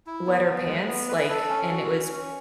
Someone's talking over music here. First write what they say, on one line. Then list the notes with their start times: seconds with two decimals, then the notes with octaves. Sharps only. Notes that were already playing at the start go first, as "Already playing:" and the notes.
wet her pants, like, and it was
0.06 E4
0.27 B3
0.47 B3
0.67 G#3
0.88 B3
1.08 B4
1.29 A4
1.49 C#4
1.70 F#4
1.90 C#4
2.10 C#4